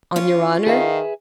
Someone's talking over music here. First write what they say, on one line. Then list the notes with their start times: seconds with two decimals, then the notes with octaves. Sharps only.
"On your honor?"
0.16 C#4 F4
0.66 D#3 G#4 B4 E5 F5